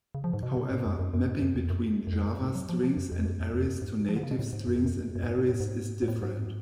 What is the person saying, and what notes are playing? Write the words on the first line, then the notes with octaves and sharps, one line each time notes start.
However, mapping between Java Strings and arrays to native strings and arrays is different.
C#3
F3
G#2
B2
C#3
B2
G#2
F#2
F#2
F#2
G#2
F#2
F2
F#2
F#2
F2
F#2
G#2
F#3
F3
F3
F#2
F2
F#2
F2
F2
F#2
G#2
F3
D3
C#3
B2
A2
G#2
F#2
F2
F#2
F#2
G#2
G#2
A2
G#2
G#2
A2
G#2